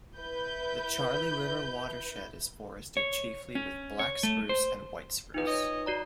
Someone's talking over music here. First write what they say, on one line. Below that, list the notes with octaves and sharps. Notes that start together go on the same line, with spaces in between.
The Charley River watershed is forested chiefly with black spruce and white spruce.
E4 B4 G6
C#5
C#4
C#5
A3
C5
E2 D#4 F4 B4
C#5 D#5
F#4 D5 A#5